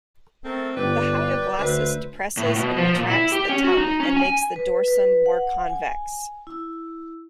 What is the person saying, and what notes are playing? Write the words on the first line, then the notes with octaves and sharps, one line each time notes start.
The hyoglossus depresses and retracts the tongue and makes the dorsum more convex.
A3 C4 A4 A#4
G1 B4 D5 G5
D2 B4 C5 E5
A2
B2
F3
A#2
E4
G4
C#4
F#4
D#4
C#4
G#5
B4
B4
F#5
G#5
E4